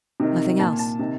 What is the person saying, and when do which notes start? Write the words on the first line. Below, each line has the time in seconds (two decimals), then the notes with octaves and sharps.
Nothing else.
0.20 C3 D#3
0.59 A#2 A5
0.79 A5
0.99 C3 D#3